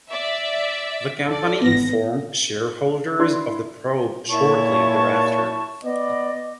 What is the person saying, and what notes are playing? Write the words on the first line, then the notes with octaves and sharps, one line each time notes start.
The company informed shareholders of the probe shortly thereafter.
D5 E5
A4 D5
G#1 B3 A#6
D4 E4 C6
A#2 E4 C#5 A5 C#6
B3 D5 D#5